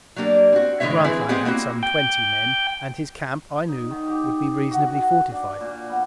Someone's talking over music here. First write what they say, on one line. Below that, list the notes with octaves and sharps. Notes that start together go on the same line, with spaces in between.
Grantline had some twenty men, and his camp, I knew, would be reasonably fortified.
F#3 G3 A#3 D4
C4 F#4
A2 D3 E3 G#3 C#5 E5
E3 C4 E4 G#4 B4
G#3 B3 C4 G4 G#4 F#5
A#3 C4 E4 F#4
G5
D#4
D#3
G4
F#4
F#5
D4
A#2
B3